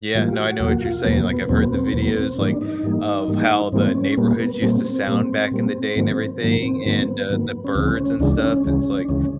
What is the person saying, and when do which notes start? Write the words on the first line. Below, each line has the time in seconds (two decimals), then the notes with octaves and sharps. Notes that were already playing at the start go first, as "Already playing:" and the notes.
Yeah, no, I know what you're saying. Like, I've heard the videos, like, of how the neighborhoods used to sound back in the day and everything and, uh, the birds and stuff, it's like
0.15 A2 E3 G3 A#3 F4
0.32 G4
0.38 F#4
0.60 E2 B2 F#3 A#3 F#4
0.82 F4
1.04 E2 B2 F#3 A#3 B3
1.24 B3
1.49 E2 B2 F#3 A#3 C4
1.62 B3
1.74 C4
1.93 E2 B2 F#3 A#3 B3
2.17 C4
2.38 G#2 E3 G3 A#3 D4
2.61 D#4
2.83 G#2 E3 G3 A#3
3.28 G#2 E3 G3 A#3
3.72 G#2 E3 G3 A#3 C4
3.95 C#4
4.17 A#2 G3 A#3 B3
4.62 A#2 G3 A#3 C4
4.84 C4
5.07 A#2 G3 A#3 C4
5.52 A#2 G3 A#3
5.96 G#2 D#3 F#3 A#3
6.41 G#2 D#3 F#3 A#3
6.63 C4
6.85 G#2 D#3 F#3 A#3 C4
7.08 B3
7.30 G#2 D#3 F#3 A#3
7.64 C#4
7.75 D2 C#3 E3 G#3 C4
7.97 C#4
8.19 D2 C#3 E3 G#3 D4
8.42 C#4
8.64 D2 C#3 E3 G#3
9.05 D4
9.09 D2 C#3 E3 G#3 C#4